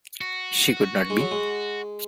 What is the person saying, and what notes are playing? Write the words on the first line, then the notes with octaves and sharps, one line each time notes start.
She could not be.
F#4
G#3
F#3
G#3